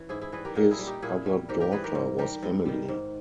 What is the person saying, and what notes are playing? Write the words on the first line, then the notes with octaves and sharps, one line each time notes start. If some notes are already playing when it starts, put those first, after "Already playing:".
His other daughter was Emily.
Already playing: E3 C#4
G#2 E4 G#4
E4 G#4
E3 G3 G#4 B4
G4 A#4
A#2 G4 A#4
E4 G#4
G3
D#4 G4
A#2 E4 G#4
G3
G#2 G4 A#4
G4 A#4
E3 G3 G#4 B4
G4 A#4
G#2
G3 G4 A#4
G2
D#3 G3
G#2